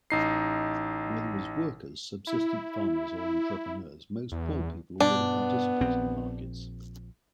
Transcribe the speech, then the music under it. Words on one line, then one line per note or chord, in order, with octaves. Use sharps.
Whether as workers, subsistence farmers or entrepreneurs, most poor people already participate in markets.
A1 D#4 C7
E4
E2
G2 B2 B3 D4
A#1 C4